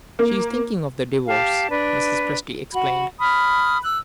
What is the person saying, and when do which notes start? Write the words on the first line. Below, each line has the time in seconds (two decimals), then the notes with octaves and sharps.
"She is thinking of the Divorce," Mrs. Presty explained.
0.19 A#3
1.27 G4 F5 A5
1.70 D4 B4
2.73 F#4 B5
3.20 B5 D#6 F6
3.82 E6 F#6